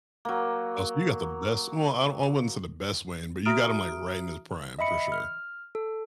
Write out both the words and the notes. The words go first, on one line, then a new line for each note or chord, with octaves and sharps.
Oh, so you got the best well, I don't I wouldn't say the best Wayne, but you got him, like, right in his prime for sure.
F#3 A#3
F#4 E5 A#5 D#6 F6 D7
D#5 E5 B5 C#7
F6
A4